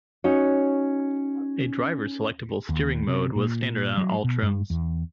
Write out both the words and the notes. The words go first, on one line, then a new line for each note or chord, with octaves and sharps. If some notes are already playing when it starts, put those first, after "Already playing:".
A Driver Selectable Steering Mode was standard on all trims.
C#4 D#4 F#4 C#5
D#2
C3
A#2
F#3
B2
G2
E2